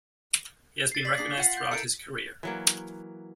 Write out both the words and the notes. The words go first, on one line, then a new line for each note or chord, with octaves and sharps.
He has been recognized throughout his career.
A6 C7
D5 B6 F#7
A#3 D4 G#4 C7
F4 F#5
G6
E4 A4 A#4 C#7 D7
E3 F#3 A#3